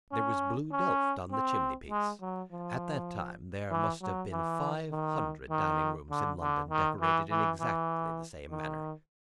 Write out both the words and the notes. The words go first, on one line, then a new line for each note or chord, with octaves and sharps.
There was blue delft on the chimney-piece. At that time there must have been five hundred dining-rooms in London decorated in exactly the same manner.
C#4
C#4
C4
G#3
F#3
F3
E3
F#3
E3
D#3
D#3
D3
D3
D#3
E3
E3
E3
D#3